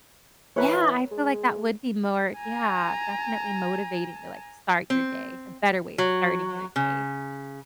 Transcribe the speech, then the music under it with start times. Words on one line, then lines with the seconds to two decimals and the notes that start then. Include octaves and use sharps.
Yeah, I feel like that would be more, yeah, definitely motivating to, like, start your day, a better way of starting your day.
0.56 E3 A#4 B4 C#5
1.11 G#3
2.39 G#5 A#5
4.90 C4
5.98 F#3
6.76 C#3